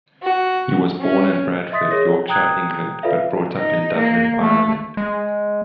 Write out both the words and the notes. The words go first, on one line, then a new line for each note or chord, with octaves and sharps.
He was born in Bradford, Yorkshire, England, but brought up in Dublin, Ireland.
F#4
C#4
D#5 E5 C6 D#6 A6 B6
G#4 A#4 C#5 A#6
F#5
G5 A#5 D#6 F#6 G#6
F4 A4 B4 D5 E5 F5
D#4
A#3
A3
G#3